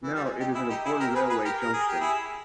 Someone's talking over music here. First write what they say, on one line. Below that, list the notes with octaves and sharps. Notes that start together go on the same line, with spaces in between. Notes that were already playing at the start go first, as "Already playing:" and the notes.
Now it is an important railway junction.
E3
G3
G#3
D#4 G4
E4 G#4
D#4 G4
E4 G#4
G4 A#4
G#4 B4
G#4 B4
G4 A#4
A#4
G#4
G4
E4 G#4